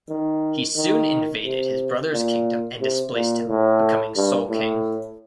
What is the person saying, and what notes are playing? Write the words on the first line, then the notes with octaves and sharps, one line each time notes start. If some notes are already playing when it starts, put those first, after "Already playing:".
He soon invaded his brother's kingdom and displaced him, becoming sole king.
D#3
D#3
C3
A#2
C3
A#2
A2
G2
A2